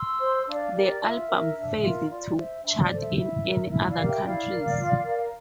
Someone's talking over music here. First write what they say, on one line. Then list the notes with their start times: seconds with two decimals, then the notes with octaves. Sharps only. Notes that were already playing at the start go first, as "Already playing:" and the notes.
The album failed to chart in any other countries.
Already playing: C6 E6
0.21 C5
0.47 D4 D5 F5
0.75 G4 A#4 D5
1.01 F4 E5
1.29 A#4
1.56 D4
1.82 F4 A#4
2.09 F4 D5
2.36 C5 E5
2.63 D4 E5
2.81 D5
2.91 A4 C5
2.99 E5
3.16 E4 E5
3.44 A#4
3.70 E4 E5
3.89 D5 F5
3.98 G4 A#4
4.06 E5 G5
4.24 E4 D5 F5
4.51 A#4
4.78 F4
5.05 A#4